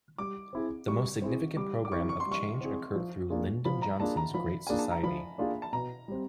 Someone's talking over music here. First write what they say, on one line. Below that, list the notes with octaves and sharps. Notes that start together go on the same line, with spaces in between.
The most significant program of change occurred through Lyndon Johnson's Great Society.
G3 D6
C4 E4 G#4
G3 C#6
C4 E4 G#4
G3 D6
D6
C4 E4 G#4 C#6
C#6
C6
G3
C#6
C4 E4 G#4
F3
A#3 D4 F4 G#4
F3 B5
A#5
A#3 D4 F4 G#4 A5
A#5
F3 B5
A#3 D4 F4 G#4 G#5
A5
A#5
F3 B5
A#3 D4 F4 G#4
A5
B2 A#5
G3 C4